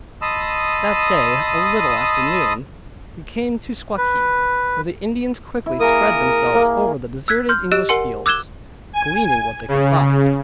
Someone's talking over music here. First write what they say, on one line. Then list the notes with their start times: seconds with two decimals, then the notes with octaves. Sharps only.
That day, a little after noon, we came to Squakeag, where the Indians quickly spread themselves over the deserted English fields, gleaning what they could find.
0.22 D#5 A5 B5 C6 D#6 E6
3.97 B4
5.66 E4
5.80 A#3 G#4 A#4 D#6
6.55 A#3
7.28 E6 F#6 G#6 B6
7.49 C6 F6 G6
7.72 G4 D#5 E6 F#6 D7 E7
7.89 A#4 F#5 G#5 C6 C#7
8.26 D6 E6 F#6 G#6 E7 G7
8.93 G#5
9.68 C#3